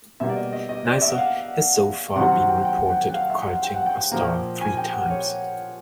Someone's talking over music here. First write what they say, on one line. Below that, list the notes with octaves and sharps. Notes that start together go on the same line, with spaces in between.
Nysa has so far been reported occulting a star three times.
B2 G3 A#3 E5
D5
D#5
D#5
D#5
D5
E5
F#5
F5
C3 D#3 F#3 F#5
F#5
G5
G5
F#5
F#5
F5
E5
F#5
G5
F#5
G5
A#2 F3 A#3
G#5
G5
F#5
C#5